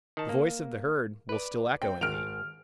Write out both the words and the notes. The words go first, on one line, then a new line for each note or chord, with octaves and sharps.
The voice of the herd will still echo in thee.
D#3 A5
A#3
B4 D5
C4 G5
G#1 F6 D7 F7